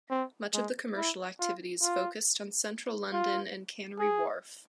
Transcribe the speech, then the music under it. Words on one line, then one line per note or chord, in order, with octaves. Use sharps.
Much of the commercial activity is focused on Central London and Canary Wharf.
C4
G#3
E4
F4
F4
F4
G#4